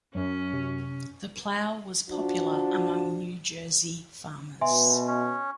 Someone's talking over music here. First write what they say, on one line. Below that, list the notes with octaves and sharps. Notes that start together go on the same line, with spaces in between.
The plow was popular among New Jersey farmers.
F#2 F#3 C#4
C3
F3 D4 F#4
B2 E5 G#5 C6
C#4